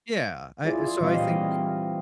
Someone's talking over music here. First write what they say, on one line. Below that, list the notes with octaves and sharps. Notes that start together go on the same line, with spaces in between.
Yeah. I so I think
E4 F4 G#4 D5
A#2 E3 G3 C4 D#5 F5